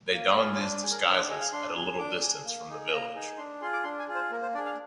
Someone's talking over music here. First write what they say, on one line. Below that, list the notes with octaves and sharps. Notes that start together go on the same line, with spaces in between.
They don these disguises at a little distance from the village.
A#3
F4 G#4
D4 C5
G#4
A#4
D4 C5
C5
G#4 D#5
F5
D4 C6
G#4
D4 D6
G#4
A#3
D#4 G#4
A#3 A#5
D#4 G#4
D4 C6
F4 G#4 C6
D6
D4 C6
G#5
F4 G#4
C5
A#3 A#4
C5
D4 G#4 D5
F5